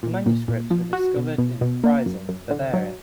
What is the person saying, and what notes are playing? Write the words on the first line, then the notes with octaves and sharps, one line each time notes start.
The manuscripts were discovered in Freising, Bavaria.
A#2
A#2
A#2
F3
F#4
B2
B2
B2
A#3
F#2
F#2
D3
F#3